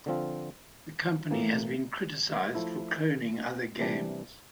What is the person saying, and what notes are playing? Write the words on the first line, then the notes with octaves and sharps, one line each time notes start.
The company has been criticised for cloning other games.
D3 F3 C4 F4
A2 E3 A#3
F3 A3 E4
C3 E3 G3 D4